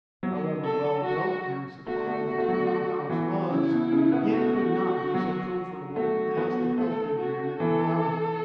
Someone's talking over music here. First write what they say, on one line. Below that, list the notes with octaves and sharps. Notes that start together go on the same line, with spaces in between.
However well built and supplied the corral house was, it could not be so comfortable as the healthy granite dwelling.
F#3
A4
F#4
A3 F#4
A3
A3
A3
F#3
E3
C#3 E4
B2
C#3
B3
A3 F#4
F#3
A3 F#4
B3
A3 A4
F#4
E3 A4